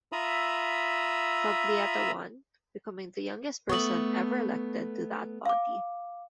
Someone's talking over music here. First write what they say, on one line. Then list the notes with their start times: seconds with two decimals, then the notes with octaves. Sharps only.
Foglietta won, becoming the youngest person ever elected to that body.
0.12 F4 E5 A#5 B5 D#6 E6
3.69 A3 B3 C#6 D#6 F#7
5.46 F5 D6